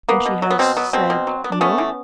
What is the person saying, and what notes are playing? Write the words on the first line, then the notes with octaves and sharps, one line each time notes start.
"And she has said No?"
A#3 B3
B2
F#3
B3
B2 C4
F#3 B3
B2 C4
B2
F#3
B3
D4
A3 B3 C#4
E3